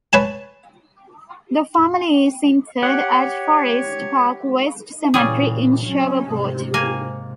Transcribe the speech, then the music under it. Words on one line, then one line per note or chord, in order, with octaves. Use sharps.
The family is interred at Forest Park West Cemetery in Shreveport.
B4 C#5 G#5 A5
G4 C#5 F#5
A#2 C#3 E3 G3 G#4
F#3 C#4
G#2 C3
A#3 G#5